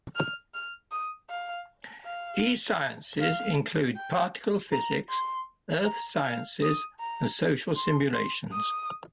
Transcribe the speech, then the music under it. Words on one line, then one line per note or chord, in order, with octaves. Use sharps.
E-sciences include particle physics, earth sciences and social simulations.
F6
F6
D#6
F5
F5
F5
G5
A#5
C6
A#5
F5
D#6
A#5
C6
C6
D#6